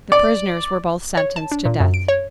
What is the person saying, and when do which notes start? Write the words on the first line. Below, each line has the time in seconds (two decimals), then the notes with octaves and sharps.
The prisoners were both sentenced to death.
0.12 D5
1.17 C#5
1.36 A5
1.52 D4
1.65 A#2
1.80 F#2
1.94 D7
2.08 C#5